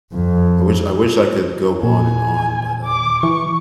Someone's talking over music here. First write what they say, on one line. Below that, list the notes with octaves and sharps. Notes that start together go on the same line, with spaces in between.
I wish I wish I could go on and on, but, um,
F2
A#2 G#5
D6
E3 C#6